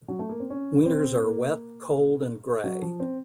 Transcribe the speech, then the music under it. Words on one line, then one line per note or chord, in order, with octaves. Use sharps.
Winters are wet, cold and grey.
F#3
A3
A#3
C4
C#4
C4
A#3
F#3
F3
C4